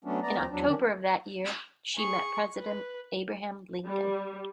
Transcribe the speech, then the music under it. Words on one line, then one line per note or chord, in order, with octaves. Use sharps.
In October of that year, she met President Abraham Lincoln.
F#3 A3 B3 C#4 D4
B3 D5 A#5
D#2 F3 C4 A#5
E2 F#3 D4
D3 D#3 C#4 D4
G#4 C#6
B4
G3